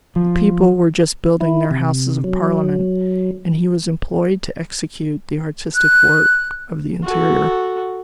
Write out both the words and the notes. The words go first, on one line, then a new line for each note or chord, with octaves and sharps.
The people were just building their Houses of Parliament, and he was employed to execute the artistic work of the interior.
F3
E4
C3
F#3
F#6
F#4 A4